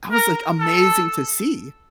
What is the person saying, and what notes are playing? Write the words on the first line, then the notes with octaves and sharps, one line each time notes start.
That was, like, amazing to see.
A#4
A4